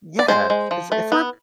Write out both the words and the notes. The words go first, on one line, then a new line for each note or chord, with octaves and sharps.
Yeah, 'cause if we’re
D5
G#3 C5
G#3
F3
A3
B3